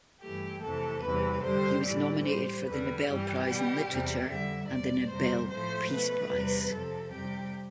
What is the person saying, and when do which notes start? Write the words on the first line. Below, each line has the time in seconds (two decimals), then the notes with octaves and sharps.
He was nominated for the Nobel Prize in Literature, and the Nobel Peace Prize.
0.20 G2 E3 A3 G4
0.61 F2 C3 E3 A3 A4
1.02 E2 C3 E3 G3 B4
1.43 F2 D3 G3 C5
1.83 A2 E3 G3 D5
2.24 A2 G3 C5
2.65 E2 D3 G3 B4
3.05 G2 E3 G3 G4
3.46 B2 G3
3.87 E2 C3 G3
4.27 F2 D3 G3 E5
4.68 E2 C3 G3 D5
5.09 F2 C3 G3 C5
5.49 A2 F3 A3 C5
5.89 B2 A3 B4
6.31 E2 C3 G3
6.71 F2 C3 F3 A4
7.12 F2 C3 G3 G4